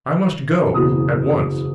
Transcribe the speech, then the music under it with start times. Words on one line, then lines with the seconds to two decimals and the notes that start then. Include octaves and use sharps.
I must go--at once.
0.74 F#1 E2 B2 D#6